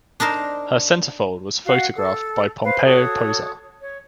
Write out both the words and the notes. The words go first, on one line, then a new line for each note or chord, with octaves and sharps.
Her centerfold was photographed by Pompeo Posar.
D4 D#4 A#4 C5
F#4 F5 F#5
A4
B4 C5 F5
F#4 A4 C#5 D#6
C#5